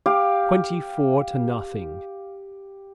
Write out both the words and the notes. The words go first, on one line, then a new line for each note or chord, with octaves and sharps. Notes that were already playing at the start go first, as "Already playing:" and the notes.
"Twenty-four to nothing."
G4 F5 D6